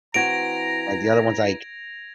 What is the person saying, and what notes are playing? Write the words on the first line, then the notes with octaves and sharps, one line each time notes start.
Like, the other one's, like,
E3 C4 F#4 A#5 G#6 A#6 D7 F7